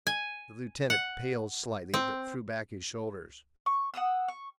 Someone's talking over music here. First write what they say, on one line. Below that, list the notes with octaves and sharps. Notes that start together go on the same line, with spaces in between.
The lieutenant paled slightly, but threw back his shoulders.
G#5
F#5
C4
C#6
F#5 A#5 D#6 E6
C#6